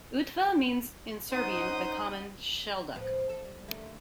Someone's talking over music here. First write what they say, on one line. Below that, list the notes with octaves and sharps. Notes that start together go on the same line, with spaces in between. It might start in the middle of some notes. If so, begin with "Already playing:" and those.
Utva means in Serbian the common shelduck.
C#4 D#4 C5 D#5 F#5 D#6
A2 F3 B3
A4
G3
D3 A3 A#3